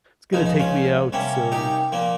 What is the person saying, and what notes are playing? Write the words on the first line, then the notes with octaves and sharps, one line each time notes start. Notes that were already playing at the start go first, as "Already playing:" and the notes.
it's gonna take me out so
C#2 C#3 F3 D#4
D#4
C#4 F4
C3 G3 A#3 C#4
D#4 G4
A#2 F3 A#3